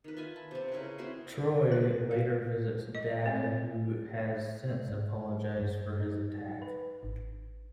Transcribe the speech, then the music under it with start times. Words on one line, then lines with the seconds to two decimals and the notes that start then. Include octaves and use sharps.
Troi later visits Data, who has since apologized for his attack.
0.04 D#3 B4
0.17 F4 E5 G#5 B5
0.36 A5
0.51 C3 C4
0.72 C#3 E4 A#4 B4
0.98 C4 E4 F#4 C5
1.72 B4
2.11 F5
2.95 D#5
3.26 C4
4.88 G#2
5.57 G2
6.00 D#4
6.62 B4
7.03 G#1